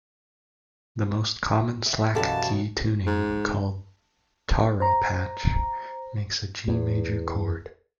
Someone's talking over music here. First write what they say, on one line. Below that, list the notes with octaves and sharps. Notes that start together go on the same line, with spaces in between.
The most common slack key tuning, called "taro patch," makes a G major chord.
E5
F#2 B2 E3 F#3 G4 A4 F5 A5
G#2
C5 A#5
E2